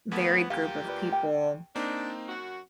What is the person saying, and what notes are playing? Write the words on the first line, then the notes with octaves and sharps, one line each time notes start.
varied group of people,
D#2 E3 A3 B3
D2 A#2 G4 F5
F4 B4 D5
G5
A#3 C4 D4 D#4
F#2 F#4